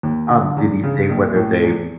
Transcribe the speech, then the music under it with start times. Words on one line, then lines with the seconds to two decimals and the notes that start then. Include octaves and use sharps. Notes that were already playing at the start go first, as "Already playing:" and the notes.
Um, did he say whether they
0.03 D#2
0.29 D3
0.57 E2
0.83 C#3
1.09 A#1
1.36 A2
1.63 E2